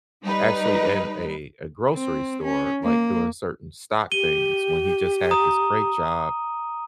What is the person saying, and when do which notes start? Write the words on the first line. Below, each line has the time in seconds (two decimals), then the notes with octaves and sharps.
actually in a a grocery store, like, doing certain stock things when he just had this great job,
0.24 G3 D#4 B4
1.94 C4
2.44 C#4
2.84 A#3
4.12 G4 D#7 G7
5.31 A#5 D#6